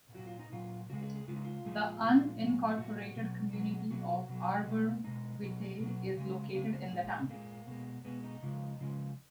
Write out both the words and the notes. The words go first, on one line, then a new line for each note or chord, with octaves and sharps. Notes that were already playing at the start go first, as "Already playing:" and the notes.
The unincorporated community of Arbor Vitae is located in the town.
A#2 F#3 F#4
F4
D#4
A#2 F#3 F4
C#3 G#3 F#4
G#4
G#4
C#3 G#3 F4
D#4
F4
A#2 F3 G#3
A#2 F3 G#3
A#2 F#3
A#2 F#3 F#4
B2 F#3
B2 F#3 G#4
B2 F#3 F#4
B2 F#3
B2 G#3
B2 G#3 D#4
B2 F#3
B2 F#3
C#3 G#3
C#3 G#3 A#3
A#2 G#3
A#2 G#3 A#3
B2 G#3
B2 G#3 B3
D#4
C#3 F3 G#3
C#3 F3 G#3